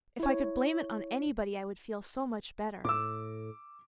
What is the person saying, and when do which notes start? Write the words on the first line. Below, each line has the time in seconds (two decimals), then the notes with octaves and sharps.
If I could blame it on anybody I would feel so much better.
0.20 E4 C#5
2.85 A2 D6 E6